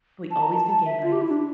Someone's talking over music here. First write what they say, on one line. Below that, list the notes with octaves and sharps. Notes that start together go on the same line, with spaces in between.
We always do game nights,
A5
A#5
A5
A5
E5
F4
G4
E4
D4